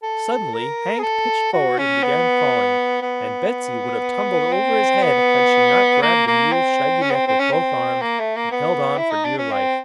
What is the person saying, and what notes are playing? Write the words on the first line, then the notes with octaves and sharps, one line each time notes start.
Suddenly Hank pitched forward and began falling and Betsy would have tumbled over his head had she not grabbed the mule's shaggy neck with both arms and held on for dear life.
A4
A#4
G#4
A4
F#4
C#4
B3
B3
C4
B3
A#3
A#3
C4
C#4
B3
C4
C4
C#4
C4
A#3
A3
A#3
B3
E4
D#4
D4
C#4
C4